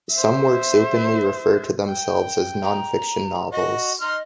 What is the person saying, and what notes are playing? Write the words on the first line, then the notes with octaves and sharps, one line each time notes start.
Some works openly refer to themselves as 'nonfiction novels.
C5 E5
G5
A#5
F#4 D#5
D#4 D#5 C6 F6